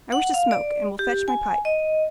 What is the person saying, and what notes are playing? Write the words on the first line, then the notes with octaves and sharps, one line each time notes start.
"I wish to smoke, and will fetch my pipe."
F#5
F5
D5
G4
G#5
D#5